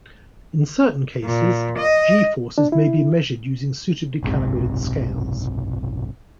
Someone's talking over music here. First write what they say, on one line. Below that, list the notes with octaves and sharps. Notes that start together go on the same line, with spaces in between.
In certain cases, g-forces may be measured using suitably calibrated scales.
A#2
D#5
D4
E4
F#1 B1 G#2 C3